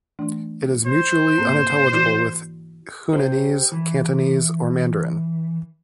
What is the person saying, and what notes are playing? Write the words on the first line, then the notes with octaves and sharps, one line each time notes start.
It is mutually unintelligible with Hunanese, Cantonese, or Mandarin.
E3 A3 D4
C5
G#2 A#3 C4
E3 E4 F#4
G4 C5
E3